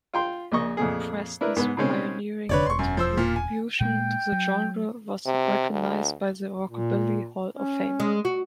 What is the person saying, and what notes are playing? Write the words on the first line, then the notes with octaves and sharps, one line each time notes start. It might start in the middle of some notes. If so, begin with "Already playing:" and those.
Preston's pioneering contribution to the genre was recognized by the Rockabilly Hall of Fame.
F4 G5 C6
A#1 A#2 D#5 C#6
F2 A#2 A3 G#4
D4 E4 A#4 B4
G#2 B3
B2 D#3 G#3 C4 C#4
F1 B2 D3 B4 C#5 D5
E1 C6 C#6
F#2
F3 C5 E6
A#2 F4
G#5
A#2 G#3 A#3 G5
F#3
C3
D2
A#2
C#4
G#3
F#4